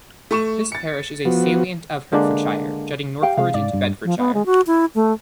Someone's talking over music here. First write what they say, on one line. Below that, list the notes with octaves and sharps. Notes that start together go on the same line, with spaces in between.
This parish is a salient of Hertfordshire jutting northwards into Bedfordshire.
A3 C#6 E7
A6 C#7
F3 B3 F#4
D3 G#3 A#3 D4
G4 F5 G5
C3 G#3 F5
G#2 D5
G2
F3
B3
G#3
F#4
E4
A3